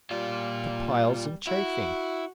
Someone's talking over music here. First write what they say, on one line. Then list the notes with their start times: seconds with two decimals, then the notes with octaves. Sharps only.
For piles and chafing.
0.11 A#2 G3 F4
1.47 E4 F#4